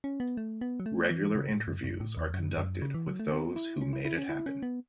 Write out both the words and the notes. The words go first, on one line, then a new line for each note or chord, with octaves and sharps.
Regular interviews are conducted with those who made it happen.
C#4
B3
A3
B3
F#3
A3
E3
C#3
A2
F#2
F#2
A2
E2
F#2
F#2
C#3
E3
F#3
A3
B3
E4
C#4
E4
E4
C#4
E4
C#4
B3